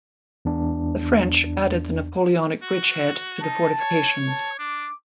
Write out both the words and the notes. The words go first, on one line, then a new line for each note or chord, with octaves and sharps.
The French added the Napoleonic bridge head to the fortifications.
E2 D4
F#4
D#4 A5
C#5
A5
D4 D6